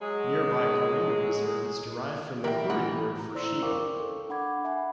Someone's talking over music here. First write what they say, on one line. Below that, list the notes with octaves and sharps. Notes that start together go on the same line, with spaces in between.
Nearby Kooringa Reserve is derived from the Koori word for sheoak.
F#3 G#3
A2 E3 G4 A#4 B4 G5
E3 A3 D#4 F#5
A#5
E4 C5 D5 C6 E6
A#4 F5 G5 C#6 D6
A4
D4 F#5 B5 D6 G#6
E5 F#5 G#5 B5